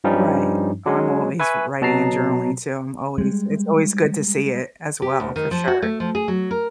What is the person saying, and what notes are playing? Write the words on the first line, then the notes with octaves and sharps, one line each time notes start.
Right. Oh, I'm always writing and journaling, too. I'm always It's always good to see it as well, for sure.
G2 F3 G3 C#4 D#4
F#3 G#3 C#4
B4 E5 G#5 C#6
B2 F#3 A5 A#5 C7
G3 G#3
G4
D2
D#3
F3
F#4
A3
F3
G#4
F#3
A#4